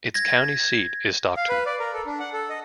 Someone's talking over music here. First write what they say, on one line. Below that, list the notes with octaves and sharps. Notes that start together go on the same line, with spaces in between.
Its county seat is Stockton.
G#6 A#6
F5
B4
D5
A#4
A4
D4
F#5
A4
D#5